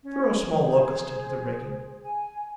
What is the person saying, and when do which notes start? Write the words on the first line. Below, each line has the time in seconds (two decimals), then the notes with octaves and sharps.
Throw a small Locust into the rigging.
0.03 C#4
0.40 G#4 C5
2.03 G#5